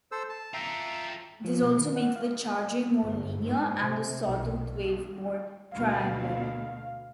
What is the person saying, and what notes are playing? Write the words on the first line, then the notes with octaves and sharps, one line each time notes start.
This also makes the charging more linear, and the sawtooth wave more triangular.
A4 C5 E6
A5
F4 A4 E5 G5 A#5
F3
B2
D#3
F#5
F5
G1
G#2
C3
B1
D2 B2 F5